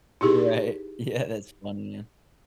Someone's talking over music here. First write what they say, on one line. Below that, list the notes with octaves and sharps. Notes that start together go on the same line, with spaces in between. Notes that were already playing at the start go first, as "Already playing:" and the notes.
Right. Yeah, that's funny, yeah.
D#4 E4 G4 G#4